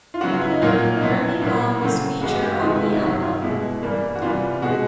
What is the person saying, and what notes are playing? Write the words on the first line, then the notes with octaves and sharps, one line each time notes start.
Remy Ma was featured on the album.
F4
C#3 F#3 B3 F#4
F4
E4
D#4
A#2 F#3 A#3 F4
D#4
B2 F#3 B3 E4
A#2 F#3 A#3 E4
C#3 F#3 A3 C4
G2 E3 G#3 B3 F#4
G4
F#4
C3 D#3 G#3 B3 F4
E4
D#4
G2 D#3 F#3 E4
F4
B2 G#3 B3 E4
G2 E3 G3 A#3
F#4
C3 E3 G3 B3 F4
B2 G#3 B3 F#4